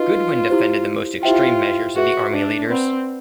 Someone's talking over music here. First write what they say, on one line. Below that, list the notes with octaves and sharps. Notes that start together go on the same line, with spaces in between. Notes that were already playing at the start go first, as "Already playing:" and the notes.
Goodwin defended the most extreme measures of the army leaders.
Already playing: D#4 F4 F#4 B4 D#5
E4 G4 C5
E4 F4 G4 C5 E5 G5
F#4 G#4 B4 E5
D4
C4 B4 D5 F#5 B5